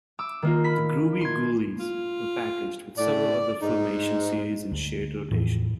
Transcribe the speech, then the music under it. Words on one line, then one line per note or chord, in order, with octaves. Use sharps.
"The Groovie Goolies" were packaged with several other Filmation series in shared rotation.
D6 E6
D#3 A#3 F4
B5 B6
C6 G#6
F4
A2 D5
G#2 D#4
D2
E2 A2 E3 F3